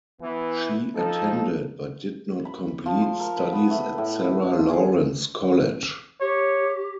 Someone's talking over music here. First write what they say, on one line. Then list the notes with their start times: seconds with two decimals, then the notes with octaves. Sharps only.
She attended but did not complete studies at Sarah Lawrence College.
0.20 E3 B3
0.95 F3 D#4 A4
2.45 B5
2.86 F3
3.02 C6
3.20 A#4
3.37 B4
3.52 B3
3.71 A3
3.98 A2
4.21 B3
4.53 F4
4.70 G#4
6.21 G4 C#5